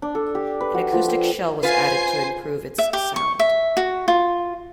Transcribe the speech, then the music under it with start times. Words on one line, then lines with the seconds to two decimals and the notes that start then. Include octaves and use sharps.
An acoustic shell was added to improve its sound.
0.02 D4
0.15 A4
0.35 G4
0.61 B4
0.74 F#4
0.93 F3
1.08 G5
1.63 F4 B4 C5 G#5 C7
2.78 E5
2.93 G4
3.16 C#6
3.39 E5
3.77 F#4
4.08 F4